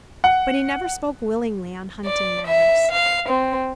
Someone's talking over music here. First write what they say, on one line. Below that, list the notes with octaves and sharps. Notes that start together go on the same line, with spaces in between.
But he never spoke willingly on hunting matters.
F#5
D5
E5
F5
C4